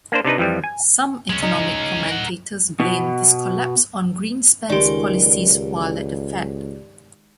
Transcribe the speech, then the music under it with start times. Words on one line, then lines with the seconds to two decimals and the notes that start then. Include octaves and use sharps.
Some economic commentators blamed this collapse on Greenspan's policies while at the Fed.
0.12 A#3 D4 C5
0.25 C3 D4 D#4 B4
0.38 F2 E3 F3 G3
0.64 G#5
1.30 G#3 C#4
1.42 D#4
2.09 A#4 F#5
2.80 B2
4.69 C#2 D#3 G#3 G4 D5